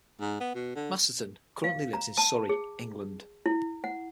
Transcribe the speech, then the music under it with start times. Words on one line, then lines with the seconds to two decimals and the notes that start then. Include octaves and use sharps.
Masterton currently lives in Surrey, England.
0.21 G#2
0.41 B3
0.55 B2
0.76 D3
1.64 F5
1.93 A#5
2.17 A5
2.49 G#4
3.46 E4
3.84 F#5